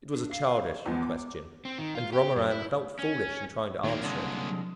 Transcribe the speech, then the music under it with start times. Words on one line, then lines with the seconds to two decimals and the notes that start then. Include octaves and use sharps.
It was a childish question, and Romarin felt foolish in trying to answer it.
0.13 D4
0.31 F5 C7
0.86 E2 F3 G#3 B3
1.02 D6
1.65 C4
1.78 D#3
1.95 F4
2.13 G4
2.36 F#2
2.50 E4
2.99 C#4
3.84 D#2 F#3 A#3
4.03 C2 D3 G#3